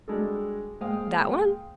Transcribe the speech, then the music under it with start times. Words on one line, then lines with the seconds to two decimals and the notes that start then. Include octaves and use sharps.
"That one?"
0.08 G3 G#3 D4 F#4 G#4 A4
0.81 A#2 G#3 C5 F5 G5 D#6